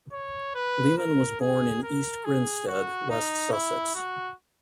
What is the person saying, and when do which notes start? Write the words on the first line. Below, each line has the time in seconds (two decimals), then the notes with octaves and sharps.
Leman was born in East Grinstead, West Sussex.
0.12 C#5
0.55 B4
0.98 A#4
1.40 G#4
1.83 A#4
2.25 G#4
2.68 F#4
3.10 D#4
3.52 E4
3.95 F#4